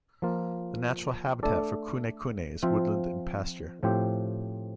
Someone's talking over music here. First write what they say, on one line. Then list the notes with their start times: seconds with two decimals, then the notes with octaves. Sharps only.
The natural habitat for kunekune is woodland and pasture.
0.22 F3 A#3 F4
1.43 A3 D4 A4 D5
2.63 F3 C4 F4 C5 E5
3.83 A2 F3 C4 G4 C5